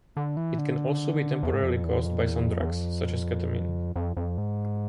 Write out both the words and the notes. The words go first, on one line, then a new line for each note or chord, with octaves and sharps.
It can also be temporarily caused by some drugs, such as ketamine.
D3
E3
D3
E2
G#2
F2
E2
F2
E2
F2
E2
F2
F2
F2
G#2